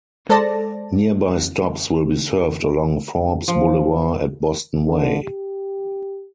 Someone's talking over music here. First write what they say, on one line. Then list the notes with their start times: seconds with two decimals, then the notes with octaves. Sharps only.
Nearby stops will be served along Forbes Boulevard at Boston Way.
0.29 G#3 A4 C5 D5 A5 A#6
3.48 F3
4.86 D3
5.23 G4